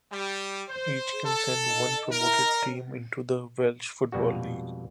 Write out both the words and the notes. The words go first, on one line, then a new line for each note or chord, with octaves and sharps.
Each can send one promoted team into the Welsh Football League.
G3
C5
A4
A#4
F2 B2 G3 G#3 F#4